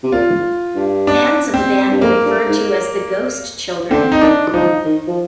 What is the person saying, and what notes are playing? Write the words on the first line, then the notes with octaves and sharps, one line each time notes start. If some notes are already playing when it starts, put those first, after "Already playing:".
Fans of the band were referred to as the "Ghost Children".
C3
A#2 F4
G2
D4
C4
G2
F2 A#3
G2
G#2
D3 C4
D#4
D#3 D4
F3 D#4
D#3
F3